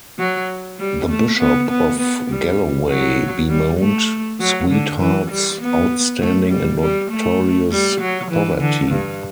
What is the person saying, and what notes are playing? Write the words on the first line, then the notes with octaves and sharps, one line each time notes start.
The Bishop of Galloway bemoaned Sweetheart's "outstanding and notorious poverty".
F#3
G3
A3
B3
B3
B3
G3
F#3
G3
A3
F#3
D3
E3
G3
B3
A3
G3
G3
A3
G3
F#3
E3
D3
G2